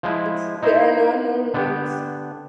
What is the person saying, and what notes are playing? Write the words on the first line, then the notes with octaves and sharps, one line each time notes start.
There are now no remains.
F3 G#3 E4 G#5
D#4 E4 C5 D#5 E5
D3 B3 D4 G4